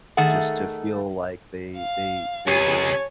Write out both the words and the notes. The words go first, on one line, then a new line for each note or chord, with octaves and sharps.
just to feel like they they they were,
D#3 A3 G#4 F#5
F5
C#2 G4 C#5 G#5 A5 D#7